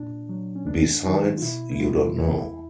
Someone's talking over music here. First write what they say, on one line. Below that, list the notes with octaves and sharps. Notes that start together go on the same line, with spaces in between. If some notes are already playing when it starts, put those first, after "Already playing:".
Besides, you don't know.
Already playing: A#2 D4
F#3
C#4
G#2 D4
D#3 F#3 D#4
F4
B2 E4
E4
G3 F4
E2 E4